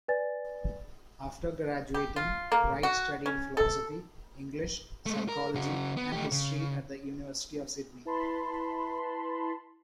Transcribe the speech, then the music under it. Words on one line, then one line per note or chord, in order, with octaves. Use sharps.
After graduating, Wright studied Philosophy, English, Psychology and History at the University of Sydney.
B4 D5 G#5 A6
G4
F4
A#3
F#4
C#4
A4
G#3 A3
A#4
C#3 F#4
B3
A3 G4
C#3
E4 B4 A5 B5 C6